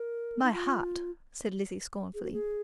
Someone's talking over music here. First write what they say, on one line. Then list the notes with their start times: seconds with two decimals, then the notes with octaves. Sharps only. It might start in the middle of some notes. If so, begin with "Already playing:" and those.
"My heart!" said Lizzie scornfully.
Already playing: A#4
0.43 D#4
0.52 F4
2.14 G#4
2.23 F#4
2.33 G#4